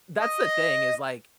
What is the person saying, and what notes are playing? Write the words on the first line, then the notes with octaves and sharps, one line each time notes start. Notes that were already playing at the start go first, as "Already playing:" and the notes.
That's the thing is, like,
D#5